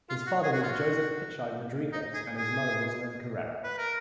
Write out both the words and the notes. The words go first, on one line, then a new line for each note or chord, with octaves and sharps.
His father was Joseph Pichai Rodriguez and his mother Roselin Correra.
F4
F#4
G#4
F#4
F4
F#4
D#4
G#4
G#4
B4
A#4